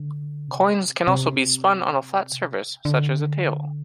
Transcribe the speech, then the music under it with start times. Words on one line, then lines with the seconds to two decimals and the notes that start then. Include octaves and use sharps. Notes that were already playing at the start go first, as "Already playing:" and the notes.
Coins can also be spun on a flat surface such as a table.
Already playing: D3
0.48 C3
1.08 C3
2.85 D3